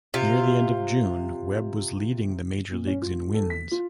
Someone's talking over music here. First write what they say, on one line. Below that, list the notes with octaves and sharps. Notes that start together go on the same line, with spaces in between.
Near the end of June, Webb was leading the major leagues in wins.
C3 F4
A#2
C#4
F4
A4
B6
F4